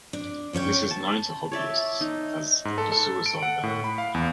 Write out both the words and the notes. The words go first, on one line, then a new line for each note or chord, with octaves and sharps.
This is known to hobbyists as the "suicide battery".
D4
C#3 C#4 C#5 G5
A5
C#5 D5 E5 A5
D#4
G#2
A4
A4
D7
F#5
A2
B5
F5
E2